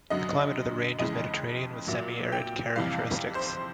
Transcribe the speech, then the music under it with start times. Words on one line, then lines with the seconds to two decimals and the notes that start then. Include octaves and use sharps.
The climate of the range is Mediterranean with semi-arid characteristics.
0.10 F#2 D3 F#3 D#5
0.99 F2 C#3 E3 G#3 D#5
1.87 A#2 F#3 E5
2.32 G5
2.76 F2 C3 E3 G3 F5
3.35 C5